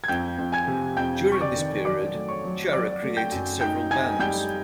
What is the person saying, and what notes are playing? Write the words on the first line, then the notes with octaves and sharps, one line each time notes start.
During this period, Chara created several bands.
G#6
F2 G5 G6
F2
G#5 G#6
C3
F2 G5 G6
F2
C#6
D5 D6
D#3
F#3 D5 D6
A3
C#5 C#6
F#3
F#3 D5 D6
A3
G5 G6
F#2
D#4 G5 G6
D#4 G#5 G#6
G3 G5 G6